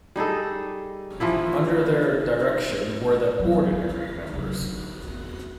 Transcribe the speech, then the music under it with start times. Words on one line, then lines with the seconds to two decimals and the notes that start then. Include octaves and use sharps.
Under their direction were the 'ordinary' members.
0.16 G3 D#4 G#4 A4
1.20 E3 F3 A#3 E4
3.40 F#3 B3
3.68 F3 A#3
4.33 C#3 F#3
4.62 D3
5.04 E2 A3